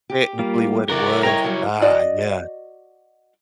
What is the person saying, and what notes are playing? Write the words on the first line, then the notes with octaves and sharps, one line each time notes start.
Technically what it was. Ah, yeah.
G4
G3 A#3 F4
E4 F#4 A#4 D5
C#5 D#5 G5 A#5
F#3 G3 C#5
F#4 D5 D#5